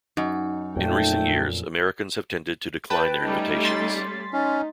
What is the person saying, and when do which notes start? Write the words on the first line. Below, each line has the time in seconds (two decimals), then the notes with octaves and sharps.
In recent years, Americans have tended to decline their invitations.
0.17 F#2 D#4
0.76 F2 A#2 A3 G5
2.90 B4 G5 A5
3.23 G3 A3 C#4 D#4
3.65 C6 A6 B6
4.33 C#4 D#4